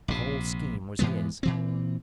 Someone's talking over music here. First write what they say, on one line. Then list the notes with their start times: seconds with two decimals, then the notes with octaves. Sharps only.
The whole scheme was his.
0.08 A#1 C3
0.99 G#2 E3 G#3 B3
1.43 A#2 E3 C4